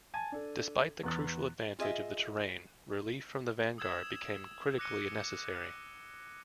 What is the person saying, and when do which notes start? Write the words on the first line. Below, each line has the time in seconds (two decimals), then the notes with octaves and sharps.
Despite the crucial advantage of the terrain, relief for the vanguard became critically necessary.
0.14 G#5 A5 G#6 D#7
0.32 D4 A4
1.03 E2 B3 F#6 A6
1.79 F4 G#4 D#5 E5
3.78 D#6 E6 G#6 E7
4.78 D6 F#6 A#6 C#7 D#7 G7